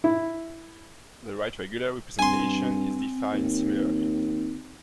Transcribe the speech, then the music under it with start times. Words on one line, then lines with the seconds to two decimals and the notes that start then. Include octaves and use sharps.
The right regular representation is defined similarly.
0.04 E4
2.19 G2 C4 G#5 C6
3.32 D#2